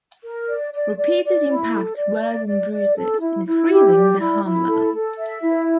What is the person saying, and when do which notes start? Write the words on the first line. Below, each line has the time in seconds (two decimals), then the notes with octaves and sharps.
Repeated impacts worsen bruises, increasing the harm level.
0.24 A#4
0.49 D5
0.73 D5
0.98 D5
1.23 D5
1.48 E4
1.73 A4
1.96 D5
2.22 D5
2.46 D5
2.71 D5
2.96 A4
3.21 E4
3.46 E4
3.70 G4
3.95 D5
4.20 E4
4.45 E4
4.69 A4
4.94 A4
5.19 E5
5.43 E4